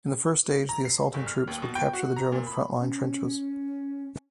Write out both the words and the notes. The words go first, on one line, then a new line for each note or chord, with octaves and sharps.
In the first stage, the assaulting troops would capture the German front-line trenches.
A#5
C7
G1
F6
D#2
B2
G5
F#4
A#5
A#2
B5
C#4